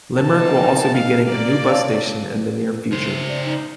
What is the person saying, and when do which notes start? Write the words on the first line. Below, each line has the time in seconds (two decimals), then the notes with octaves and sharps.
Limerick will also be getting a new bus station in the near future.
0.17 A#3 D#4 A5
0.66 B3 C4
0.94 F5
1.28 A#3 D5
1.69 C#5 F5 A5
2.92 C#3 C5
3.29 D5
3.45 D#4